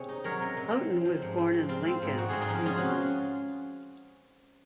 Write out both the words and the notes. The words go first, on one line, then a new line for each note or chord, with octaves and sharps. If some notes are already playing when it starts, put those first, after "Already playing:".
Houghton was born in Lincoln, England.
Already playing: C3 G#4 C#5
D#4
F#3 A#4 C#5
C3
C3
C4
F3
F3
G#2
C4
F3
C4 F4
C4
G#2
G#2 F#4
G#2 F4 G#4
F4 G#4
F3
C#4 F4 G#4
F#4
F4